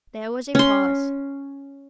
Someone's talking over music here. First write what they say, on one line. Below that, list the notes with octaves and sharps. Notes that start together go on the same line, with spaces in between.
There was a pause.
C#4 C6